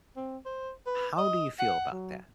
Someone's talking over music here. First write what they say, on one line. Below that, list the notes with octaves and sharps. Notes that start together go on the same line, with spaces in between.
how do you feel about that?
C4
C5
B4
D#5
F#5
F#3